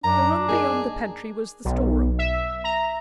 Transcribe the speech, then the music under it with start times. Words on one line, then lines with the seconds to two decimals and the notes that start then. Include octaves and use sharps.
The room beyond the pantry was the storeroom.
0.04 F#2 D4 A#5
0.49 A#3 D#4 G#4 A#4
1.65 B1
2.19 E5
2.64 A#5